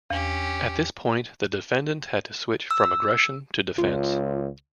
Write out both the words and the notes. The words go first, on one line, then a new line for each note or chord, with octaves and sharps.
At this point, the defendant had to switch from aggression to defence.
E2 C#4 G4
E6
C#2 F4